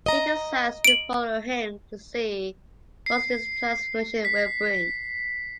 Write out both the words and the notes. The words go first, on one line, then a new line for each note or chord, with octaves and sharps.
He decides to follow him to see what this transformation will bring.
D#5 A#5
D7 F#7
C7
B6